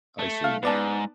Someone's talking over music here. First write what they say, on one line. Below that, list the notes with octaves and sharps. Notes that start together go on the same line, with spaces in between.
I see.
A3
F5
F2 G#2 B3 D5 A5